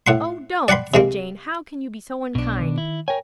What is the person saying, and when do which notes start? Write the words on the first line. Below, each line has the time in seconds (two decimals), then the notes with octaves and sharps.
'Oh, don't!' said Jane; 'how can you be so unkind?
0.07 A2 F#5 C6
0.68 D5 F#5 G5 B5 C6
0.94 C3 G#3 A#3
2.35 B1 B2 D4
2.60 D#3
2.78 E4
3.08 A#4 C#5 G5 G#5